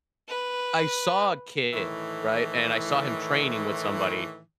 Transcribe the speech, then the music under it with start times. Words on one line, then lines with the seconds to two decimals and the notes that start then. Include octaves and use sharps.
I saw a kid, right, and I saw him training with somebody.
0.28 B4
1.73 A2 D#3 E3